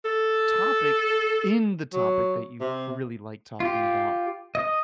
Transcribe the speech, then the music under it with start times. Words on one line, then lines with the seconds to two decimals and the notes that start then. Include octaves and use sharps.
topic in the topic that you r really like talking about
0.05 A4
1.93 F#3
2.60 C3
3.60 F4 G4
4.55 D#5 D#6